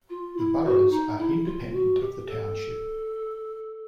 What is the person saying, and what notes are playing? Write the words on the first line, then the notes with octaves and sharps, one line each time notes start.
The boroughs are independent of the township.
F4
E4
F#4
D#4
E4
F4
F#4
G4
A4